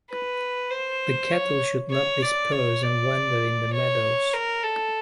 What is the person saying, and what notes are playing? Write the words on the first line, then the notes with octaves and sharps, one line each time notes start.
The cattle should not disperse and wander in the meadows.
B4
C5
C#5
C#5
D5
C#5
D5
C#5
A#4
A4